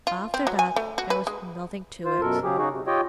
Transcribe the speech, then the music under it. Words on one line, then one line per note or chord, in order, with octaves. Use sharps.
After that there was nothing to it.
F4
C4
F#3
G#5
A3
F#4
B4
G#3
F4 C5
F#2 B2 A4 A#4
C#3 F#3 G4 G#4
C#3 D#4 F#4 G#4
C3
F4 G4 C#5 D#5 G5